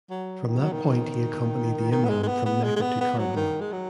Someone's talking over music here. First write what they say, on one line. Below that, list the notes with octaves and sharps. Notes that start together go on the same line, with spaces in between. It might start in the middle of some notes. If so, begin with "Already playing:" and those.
From that point he accompanied the Imam from Mecca to Karbala.
F#3
D#3
F#3
D#3
D#3
B3
G#3
G#3
B3
B3
G#3
G#3
B3
B3
F#3
D#3
G#3
F#3